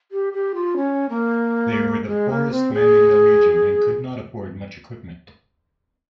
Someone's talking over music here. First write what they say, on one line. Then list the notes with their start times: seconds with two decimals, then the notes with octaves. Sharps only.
They were the poorest men in the legion, and could not afford much equipment.
0.12 G4
0.33 G4
0.55 F4
0.76 C#4
1.09 A#3
2.08 G#3
2.29 A#3
2.51 C4
2.73 G#4